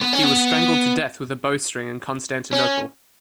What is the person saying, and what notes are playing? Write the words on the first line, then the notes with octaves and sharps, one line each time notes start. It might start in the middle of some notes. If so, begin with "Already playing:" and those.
He was strangled to death with a bowstring in Constantinople.
B3
C#4
B3
C#4